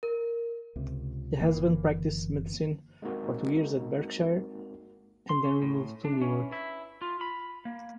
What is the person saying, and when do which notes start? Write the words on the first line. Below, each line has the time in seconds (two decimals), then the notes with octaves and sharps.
The husband practiced medicine for two years at Berkshire and then removed to Newark.
0.03 A#4
0.76 C#2 C3
1.40 F#1 D3 E3 A#3
3.02 G#3 A#3 C4 D#4 F#4 A#4
5.29 C6
5.44 C#4
5.62 A2
6.05 D4
6.21 C#4
6.52 E4
7.02 F4
7.21 B5
7.65 A#3